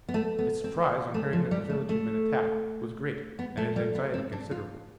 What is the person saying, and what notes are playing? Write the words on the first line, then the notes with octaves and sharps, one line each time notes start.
His surprise on hearing that the village had been attacked was great and his anxiety considerable.
B3
A3
B3
C4
A3
F3
G3
A3
A3
B3
A3
G3
B3
C4
D4
F4